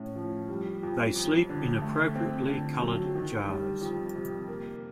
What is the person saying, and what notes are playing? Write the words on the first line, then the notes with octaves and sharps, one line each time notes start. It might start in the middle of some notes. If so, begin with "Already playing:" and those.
They sleep in appropriately colored jars.
Already playing: A2 C#4
F3
G3
F2
F2
D3
A3
C4
D3
F#3
D#3
G3
F2
C3
A#3